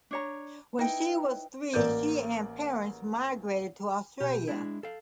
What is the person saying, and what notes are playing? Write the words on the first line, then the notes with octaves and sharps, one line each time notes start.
When she was three she and parents migrated to Australia.
D4 C#5 A#5
D#4 E4 B4 G5
A1 A#3 A#4 D5 G6
B2 G4
G#3 D4 E4
A4 F5